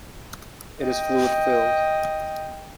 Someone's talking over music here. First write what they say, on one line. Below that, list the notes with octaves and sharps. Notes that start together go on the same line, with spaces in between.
It is fluid filled.
D#5 G5